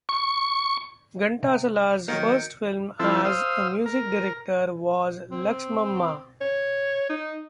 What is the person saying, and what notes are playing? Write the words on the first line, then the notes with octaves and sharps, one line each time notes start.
Ghantasala's first film as a music director was "Laxmamma".
C#6
C3
D#3 F#3 A#3 G6 C#7 D7
F3 C4 E4 A4
C5 F5 D#6 E6
A#4
C4
C#5
D#4